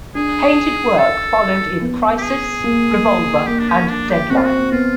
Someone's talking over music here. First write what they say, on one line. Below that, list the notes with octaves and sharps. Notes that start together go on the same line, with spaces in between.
Painted work followed in "Crisis", "Revolver" and "Deadline".
D4 G#4
A4
B3
G4
G#4
A#3
A#3 G4
D4
C#4
D4
G4
C4 F#4
F4
F#4
B3 F4